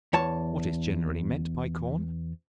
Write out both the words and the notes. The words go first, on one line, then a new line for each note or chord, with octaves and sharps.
What is generally meant by Corn?
E2 C#5 A5